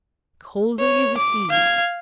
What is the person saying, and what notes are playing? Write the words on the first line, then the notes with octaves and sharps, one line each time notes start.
Coldly received.
C#5
D6
F5 G#6